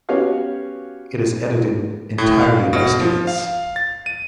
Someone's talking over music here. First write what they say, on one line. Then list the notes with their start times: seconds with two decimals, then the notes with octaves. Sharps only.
It is edited entirely by students.
0.09 B3 C#4 F#4 G4 C#5 F5
2.18 A2
2.41 F5
2.73 B2
3.01 F3
3.27 F5
3.76 A6
4.06 D#7